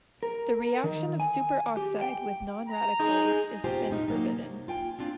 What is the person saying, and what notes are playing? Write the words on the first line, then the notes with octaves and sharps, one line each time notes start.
The reaction of superoxide with non-radicals is spin-forbidden.
A#4
D#3
G#5
G4
G5
A#5
G#3 D#4
B2 F4 G4 C5 G#5
A2 C#4 D#4 A#5
F#3 A#3 D#4
C3
F4 G5 G#5
C4 D4 F4